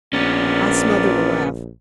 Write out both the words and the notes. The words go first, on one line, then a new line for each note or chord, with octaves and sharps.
I smothered a laugh.
A#1 B3 C#4 A#4 D5